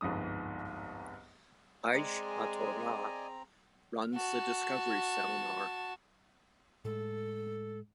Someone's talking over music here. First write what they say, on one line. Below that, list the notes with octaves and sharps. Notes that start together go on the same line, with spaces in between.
Aish HaTorah runs the Discovery Seminar.
G1 C2 F2 G#2 D#6
G#3 C4 G#4 D5 D#5 G#5 A#5
F#4 A5
A2 G#3 A4